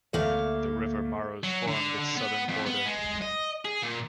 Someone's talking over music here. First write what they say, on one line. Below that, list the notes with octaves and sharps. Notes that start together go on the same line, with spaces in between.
The river Maros formed its southern border.
D2 A3 A#3 F5
F#3
D3
D3
B3
F2
B3
G#3
D#5
G#4
A#2